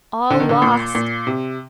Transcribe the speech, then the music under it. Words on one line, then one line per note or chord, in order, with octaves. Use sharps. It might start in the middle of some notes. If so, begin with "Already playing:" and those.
"All lost!"
D3
D#3
D3
A#2
A#2
C3